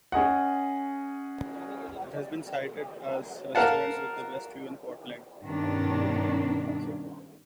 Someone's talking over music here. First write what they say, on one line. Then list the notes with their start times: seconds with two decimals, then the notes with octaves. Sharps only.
It has been cited as the restaurant with the best view in Portland.
0.12 C#4 G#4 D#5 F#5
3.55 A#4 F5 F#5 A5
5.44 G2 B2 D#3 C#4 D4